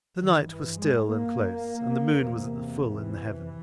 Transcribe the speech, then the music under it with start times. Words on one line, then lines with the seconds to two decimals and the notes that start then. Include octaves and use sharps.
The night was still and close, and the moon was at the full in the heavens.
0.21 G2 D#3
0.50 E3
0.81 G#3
1.12 A#3
2.01 C3
2.06 E2
2.92 E3